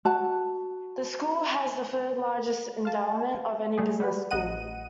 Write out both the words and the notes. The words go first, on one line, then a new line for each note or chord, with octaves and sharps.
The school has the third-largest endowment of any business school.
F#4 A5
F5 A5
G3 A3 G#4
G3 F#4 B4
A1 D#5 F#5 D#7